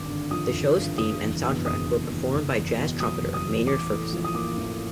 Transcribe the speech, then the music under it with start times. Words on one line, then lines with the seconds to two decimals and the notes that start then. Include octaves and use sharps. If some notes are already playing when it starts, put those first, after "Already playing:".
The show's theme and soundtrack were performed by jazz trumpeter Maynard Ferguson.
Already playing: G#1 G2 D6
0.08 D3
0.31 F3 D#6
0.54 G#1
0.76 G2
0.98 F#1 D#6
1.21 E2
1.43 B2
1.66 F#1 D#6
1.88 F#1
2.10 E2
2.33 F#1
2.55 E2
2.78 B2
3.00 F#3 D#6
3.22 F#1
3.34 D#6
3.45 E2
3.67 A1 D6
3.90 A2
4.13 F3
4.24 D#6
4.34 A#3 D6
4.57 A1